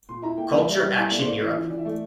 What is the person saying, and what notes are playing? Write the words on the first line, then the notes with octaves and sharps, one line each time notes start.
Culture Action Europe.
A#2 C6
E4 A#5
A#3 G5
A#3 E5
G3 D5
E5
G3
E4
A#3 D5
C5
A#3 D5
E3
E3
E3 D5
E5
A3 D5